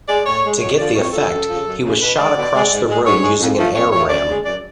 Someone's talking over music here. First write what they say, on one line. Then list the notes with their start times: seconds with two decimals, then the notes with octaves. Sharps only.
To get the effect, he was shot across the room using an air ram.
0.09 G#3 D5
0.26 A2 C#5
0.44 G#3
0.61 F2 C#5
0.78 D3 F3 D5
0.96 F2 C#5
1.13 D3 F3 A4
1.31 F#2
1.48 C#3 F3
1.66 F#2
1.83 C#3 F3
2.01 B2 B4
2.18 G#3 D5
2.36 B2
2.53 G#3
2.70 G#2
2.88 G#3
3.05 G#2 C#5
3.22 G#3
3.40 F2
3.57 F3 A3
3.75 F2 C#5
3.92 F3 A3 C#5
4.10 F#2 D5
4.27 C#3 G#3
4.45 F#2 D5